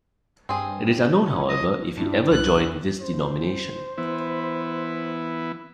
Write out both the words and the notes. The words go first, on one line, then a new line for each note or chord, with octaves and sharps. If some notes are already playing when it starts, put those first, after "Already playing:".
It is unknown, however, if he ever joined this denomination.
G2 C4 G#4
C#4
F#3 D#5
G2 D4 E4
C2 F#6
C5
E3 B3 E4